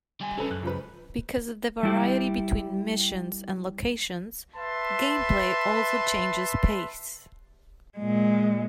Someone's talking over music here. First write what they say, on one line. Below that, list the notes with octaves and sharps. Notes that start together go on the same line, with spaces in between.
Because of the variety between missions and locations, gameplay also changes pace.
G3 G#5
C2 C#3 A4 B4
F#2 F#6
C#2 F3 B4
G3 E4 G4
B4 E5 A5 C6
A#2 G#3